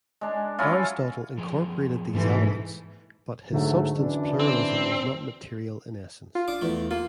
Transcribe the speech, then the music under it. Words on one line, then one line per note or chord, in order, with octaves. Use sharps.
Aristotle incorporated these elements, but his substance pluralism was not material in essence.
G#3 D4
F#3 C#4 E4 F4
F#2 F3 G#4
G#2 B2 E3 G3 A3 A4
G#2 D3 F#3 A3
F#2 E3 D4
C4
F4
D4 D6
E2 A3
A#3 F4